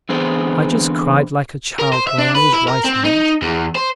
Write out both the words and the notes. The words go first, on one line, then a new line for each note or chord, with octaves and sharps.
I just cried like a child while I was writing it.
D3 E3 B3 C4 G#4 C5
A#4
C5
E5
D4
B4
E4
A#4
C4
D#4
E2
C5